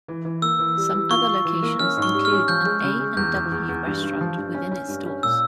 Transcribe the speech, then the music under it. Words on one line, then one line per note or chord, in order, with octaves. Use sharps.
Some other locations include an A and W restaurant within its stores.
E3
E3
A#3 E6
E3
G3
E3
F4 C#6
F4
E3
A#3
C#4 F6
G#2
C#6
G3
F6
C#4
F3 G6
G#3
C#3
G#3
E2 G6
E2
E2
E2
G2
G2
F3
G2
C#4
C#4
G2
C#4
A#2 E6